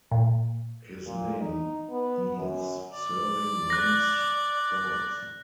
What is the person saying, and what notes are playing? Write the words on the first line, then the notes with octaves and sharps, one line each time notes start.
His name means serving one's thoughts.
A#2
A#2
D#4
B3
F#2
D5
F#6 A#6